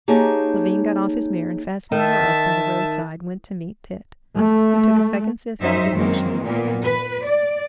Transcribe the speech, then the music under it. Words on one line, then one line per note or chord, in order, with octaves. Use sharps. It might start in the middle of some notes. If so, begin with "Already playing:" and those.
Levin got off his mare, and fastening her up by the roadside went to meet Tit, who took a second scythe out of a bush and gave it to him.
A#3 D#4 G4 G#4 C#5 A5
D#3 E5 A5
A3
F#2 F#3 D#4 C5 E5
F#2 D#3 G#3 A#3 C4
A#2 A#3 B3
B4
D5